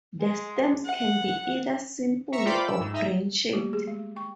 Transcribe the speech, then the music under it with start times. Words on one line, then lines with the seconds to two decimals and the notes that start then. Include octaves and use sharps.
The stems can be either simple or branched.
0.21 G#3
0.85 F#5
2.32 E5 A#5 C#6 C#7
2.45 F4 C5 D5 G5 B5 D6
2.68 E6
2.80 G#2
2.93 D#4 E5 A#5
3.53 G3 A3 A#3 G4
3.73 G#4
3.87 G#3
4.16 G5 C#6